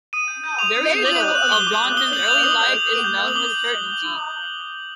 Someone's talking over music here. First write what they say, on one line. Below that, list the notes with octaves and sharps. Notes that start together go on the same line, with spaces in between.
Very little of Johnson's early life is known with certainty.
D#6 D#7
G6
G6
D#6 F7
D#6
G6
D6 F#7
F#6
F#6
D6 G7
D6
F#6
D#6 G7
G6 F#7
G6 F7
D#6
D#6
G6
D6
G6
G6
F#7
D6 G7